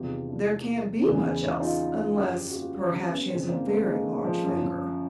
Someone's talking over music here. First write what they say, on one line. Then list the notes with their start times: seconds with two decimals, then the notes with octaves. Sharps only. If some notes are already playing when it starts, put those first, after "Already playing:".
"There can't be much else--unless perhaps she has a very large finger."
Already playing: E2 C3 D#3 F4 G4
0.29 D4 E4
1.05 E2 C#3 E3
1.61 D#4 F4
2.17 F#2 D3 F4 G4
2.50 F#4
2.55 F4 G4
2.93 C4 D4
3.11 B3 C#4
3.30 F#2 C#3 E3 C4 D4
3.49 A#3 C4
3.68 A3 B3
3.87 G#3 A#3
4.24 F3
4.44 F#2 D3